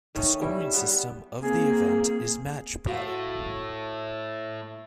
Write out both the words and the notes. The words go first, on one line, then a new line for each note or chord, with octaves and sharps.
The scoring system of the event is match play.
D#3 A3 C#4 D#4
G3 E4
E5
G3 B3
A#3 C4 G#4
A2 F#4 F5 F#5